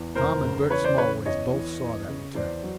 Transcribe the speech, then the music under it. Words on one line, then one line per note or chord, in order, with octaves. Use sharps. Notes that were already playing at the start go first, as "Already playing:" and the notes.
Tom and Bert Smallways both saw that return.
Already playing: E2
F1 A#4 C5
C#3
E2 B4 C#5
C5 D5
C#3 B4 C#5
E2 C#5 D#5
E3
E2
C#3
E2 C5 D5
F#3